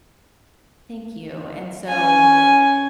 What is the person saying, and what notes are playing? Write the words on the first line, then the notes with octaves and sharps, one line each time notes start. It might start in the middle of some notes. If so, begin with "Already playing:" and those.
Thank you. And so,
C#4 G#5